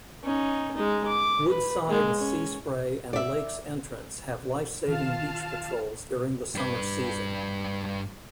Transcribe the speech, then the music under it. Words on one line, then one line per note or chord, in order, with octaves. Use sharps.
Woodside, Seaspray and Lakes Entrance have life saving beach patrols during the summer season.
C#4 D#4
G#3 D#4
D6
B4
G#3 A#3
C#4
D5 E5
D#3 F4 F5 A5
G2 B4